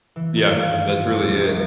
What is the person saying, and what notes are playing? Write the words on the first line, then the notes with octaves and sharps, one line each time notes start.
Yeah, that's really it.
E3
D#3
F5
G2
F4
F2
A#1
F2